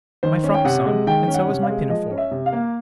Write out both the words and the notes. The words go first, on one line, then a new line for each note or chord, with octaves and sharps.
"My frock's on, and so is my pinafore."
D#3 C5
C#4
G5
C3 F#5
G#3
D#3 G5
C#4
F#5
C3
F5
G#3
F3 D#5
C#4
E5
C3
F5
A#3